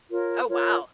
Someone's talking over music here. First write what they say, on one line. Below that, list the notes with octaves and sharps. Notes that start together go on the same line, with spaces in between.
Oh, wow.
F4 A#4 C#5
F4 A#4 C#5